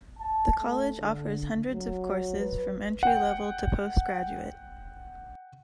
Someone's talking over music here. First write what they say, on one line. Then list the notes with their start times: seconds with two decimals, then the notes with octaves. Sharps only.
The college offers hundreds of courses from Entry Level to post-graduate.
0.19 A5
0.58 A3
0.96 D3
1.71 F#3
2.40 B4
3.03 F#5 G5